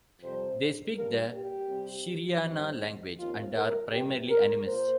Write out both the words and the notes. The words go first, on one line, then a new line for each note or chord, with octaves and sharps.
They speak the Shiriana language, and are primarily animists.
F2 C3 G3 C5
G2 G3 A#3 A#4
G4
C3 G3 C4
G2 D#3 C4
D#2 D#3 C4 F4
A#4
F2 C3 G3 G4
A#4
A#2 A#3 C5